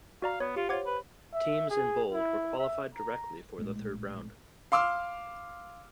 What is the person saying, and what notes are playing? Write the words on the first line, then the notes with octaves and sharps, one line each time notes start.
Teams in bold were qualified directly for the third round.
F#4 D5 F5 A#5
B3 C#5
F4 G4 C#7
F4 C5 C#5 F#5 D6 G#6
B4
E5
G#4
E4
E5
A#5
A#1 A2 C3 G#3
F5 C6 D6 E6 F6